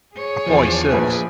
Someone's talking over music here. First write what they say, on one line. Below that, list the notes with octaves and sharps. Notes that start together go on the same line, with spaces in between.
A boy surfs.
G#4 C#5
E2 F3 D4 D5 G#5
A#1 F3 A3 G#4 B4